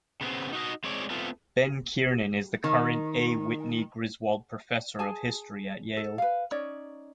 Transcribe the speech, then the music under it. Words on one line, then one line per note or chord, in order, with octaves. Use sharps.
Ben Kiernan is the current A. Whitney Griswold Professor of History at Yale.
C#3 B3 C4
D#4 F#4 D#5
G#3 C4 C#5 D5
A3 B3 C4 F4
D#3
G#4 G#5 A5
A4
B4 F5
C#4 D#4 C#5 D5